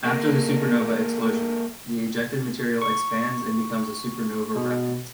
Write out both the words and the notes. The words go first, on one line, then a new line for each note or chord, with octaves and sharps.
After the supernova explosion, the ejected material expands and becomes a supernova remnant.
G#3 A#3
C#6
B2